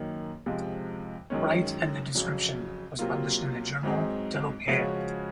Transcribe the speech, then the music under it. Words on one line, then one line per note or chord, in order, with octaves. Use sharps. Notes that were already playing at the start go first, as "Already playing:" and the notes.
Wright and the description was published in the journal "Telopea".
Already playing: F#2 D#3 A#3
C#2 C3 F3 G#3
F#2 D#3 G#3 C#4
F2 C#3 F#3
C3 F#3 A#3 F4
G#2 F#3 C4 D#4 G#4
C#3 F3 G#3 C#4 F#4